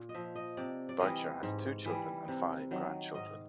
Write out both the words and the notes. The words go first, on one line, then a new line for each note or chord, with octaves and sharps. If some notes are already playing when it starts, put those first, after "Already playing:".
Boucher has two children and five grandchildren.
Already playing: A#2
D#5
F3 E5
D#5
C3 D5
D5
E3 G3 D#5
G#2
E3 G3
C3
D#3 F#3
G#2 D#5